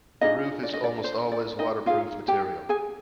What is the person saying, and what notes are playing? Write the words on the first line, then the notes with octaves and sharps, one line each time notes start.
The roof is almost always waterproof material.
D4 D#4 F4 G#4 D#5
D5
D#5
D5
C5
D5
D#4 D#5
D#4 F4 G#4 F5
G4 G5
G#4 G#5